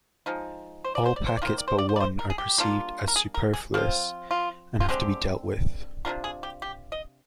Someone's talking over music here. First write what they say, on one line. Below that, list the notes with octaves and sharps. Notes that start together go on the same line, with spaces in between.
All packets but one are perceived as superfluous, and have to be dealt with.
F3 G#3 D#4
C5
D5
C5
D5
C5
D5
D#3 A#3 F4
C5
D5
C5
D5
C5
D5
C5
A#4
G#4
G4
G3 A#3 D4 F4
A#4
G#4
A#4
G#4
F3 C4 F4
F4
F4
D3 G#3 C4 G4
C3 G3 D4 F4 A#4
G#4
G4
G4
D#5